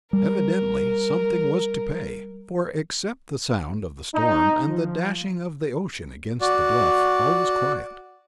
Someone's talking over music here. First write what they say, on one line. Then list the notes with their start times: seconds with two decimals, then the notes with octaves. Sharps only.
Evidently something was to pay, for, except the sound of the storm and the dashing of the ocean against the bluff, all was quiet.
0.13 G3 A#4
4.14 D#4
4.67 F3
6.41 F#4 D5